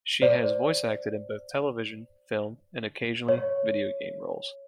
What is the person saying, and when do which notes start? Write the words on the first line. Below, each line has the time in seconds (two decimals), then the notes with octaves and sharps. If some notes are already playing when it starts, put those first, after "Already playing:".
She has voice acted in both television, film and occasionally video game roles.
0.22 C5 D5
3.28 C#5